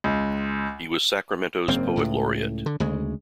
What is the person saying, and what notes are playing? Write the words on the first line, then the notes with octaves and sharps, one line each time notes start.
He was Sacramento's poet laureate.
C#2
F#1 G#2 A#3 C4
C#2 A2
D3
D2 C#3 G#3